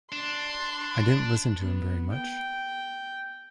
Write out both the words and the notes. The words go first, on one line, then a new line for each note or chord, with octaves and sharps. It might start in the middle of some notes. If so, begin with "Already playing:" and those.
I didn’t listen to him very much.
D4 C6
B3
G5